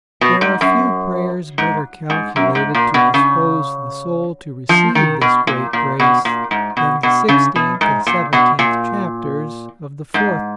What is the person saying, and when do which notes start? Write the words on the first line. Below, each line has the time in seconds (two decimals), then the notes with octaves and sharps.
There are few prayers better calculated to dispose the soul to receive this great grace than the XVI. and XVII. chapters of the IVth.
0.21 B2
0.41 G#2
0.61 F#2
1.58 G#2
2.10 G#2
2.36 F#2
2.55 G#2
2.75 A#2
2.94 B2
3.14 C#3
4.69 F3
4.95 D#3
5.21 B2
5.47 A#2
5.73 A#2
6.00 B2
6.25 A#2
6.51 G#2
6.77 B2
7.03 B2
7.28 C#3
7.56 B2
7.81 G#2
8.07 A#2
8.33 B2
8.59 A#2
10.14 G#2